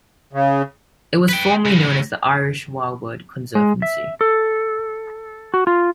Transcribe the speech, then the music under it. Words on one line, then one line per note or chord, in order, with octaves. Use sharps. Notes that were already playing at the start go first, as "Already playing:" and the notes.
It was formerly known as the Irish Wildbird Conservancy.
C#3
B4 G5
A2 C#3
G#3
E5
A4
F#4
F4